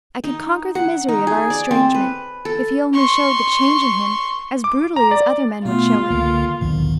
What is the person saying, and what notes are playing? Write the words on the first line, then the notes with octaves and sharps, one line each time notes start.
I could conquer the misery of our estrangement, if he only showed the change in him as brutally as other men would show it.
D#4
F#5
D#4
G#4
D5
C4
B4
A4
C6 C#6
D6
A#5
D5
B2 A3 B3 F4
C#2 D3 A#3
B1 E2 G#2 D3 D#3